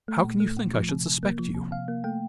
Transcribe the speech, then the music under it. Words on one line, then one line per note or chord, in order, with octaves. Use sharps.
"How can you think I should suspect you?"
A3
A#2
A3
A#2
F3
C3
C3
A#3
F3
C3
C3 F5
A#3
A3 G5